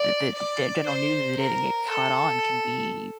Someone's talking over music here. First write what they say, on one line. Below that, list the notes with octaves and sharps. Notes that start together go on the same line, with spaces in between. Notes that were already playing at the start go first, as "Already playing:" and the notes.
that the the the general news of the day that get caught on can be,
Already playing: D5
D5
C5
A#4
A4